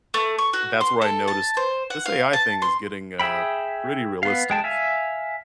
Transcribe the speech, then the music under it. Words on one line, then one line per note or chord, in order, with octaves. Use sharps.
that's where I noticed, "This AI thing is getting, uh, pretty realistic."
A3
C#6
F#4
C6
A4
A5
C5
F#5
F5
A5
C6
G#4 E5 G5 B5
B3 F5
G#3 G5 A5
E5 F5 G#5